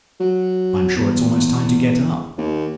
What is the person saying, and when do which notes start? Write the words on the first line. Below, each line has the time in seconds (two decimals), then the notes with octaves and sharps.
I'm sure it's almost time to get up.
0.20 F#3
0.96 E2
2.38 D#2